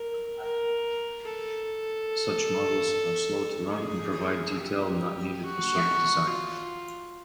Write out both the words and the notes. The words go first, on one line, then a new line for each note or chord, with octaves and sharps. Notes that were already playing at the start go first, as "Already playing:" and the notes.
Such models are slow to run and provide detail not needed for circuit design.
Already playing: A#4
A#4
A4
G#4
G4
F#4
F4